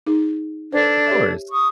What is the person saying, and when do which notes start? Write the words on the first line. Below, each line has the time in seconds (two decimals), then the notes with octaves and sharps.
Of course.
0.06 D#4 G#4
0.72 D4 A4 B4 C5 G#6
1.07 G4 C#5 E5
1.51 C#6 D#6